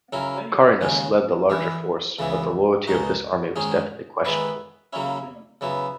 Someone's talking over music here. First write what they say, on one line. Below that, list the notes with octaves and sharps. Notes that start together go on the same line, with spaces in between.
Carinus led the larger force, but the loyalty of this army was definitely questionable.
C#3 F#3 C#4 E4 A#4
D#2 C#3 G#3 C#4 F#4
E3 B3 E4
C#2 C#3 E3 B3 E4
C#2 B2 G#3 D#4 F#4
G#2 D#3 G#3 C#4 G#4
D#3 G#3 B3 E4 B4
C#3 F#3 A#3 C#4 E4
C#3 F#3 B3 E4